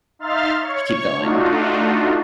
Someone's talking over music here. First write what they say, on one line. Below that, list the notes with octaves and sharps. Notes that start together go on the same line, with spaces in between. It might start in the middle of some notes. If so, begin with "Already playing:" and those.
to keep going.
D#4 E5 F5 C6 F6 A6
C#5 C#6
A3 D4 D#4 F4 F#4